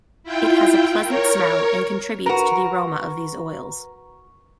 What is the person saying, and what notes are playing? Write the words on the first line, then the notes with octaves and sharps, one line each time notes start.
It has a pleasant smell and contributes to the aroma of these oils.
E4 F4 G5
A#4 C#5
F#4 A#4 B4 A#5